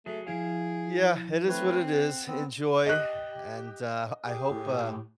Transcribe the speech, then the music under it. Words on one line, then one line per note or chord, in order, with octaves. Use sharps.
Yeah, it is what it is. Enjoy and, uh, I hope, uh,
F#3 A3 G#4
F3 E4 G#4 F5
A3 C4 B4 C#5
F#5
B3 C4
G4 D#5 F#6
G4 G#4
A2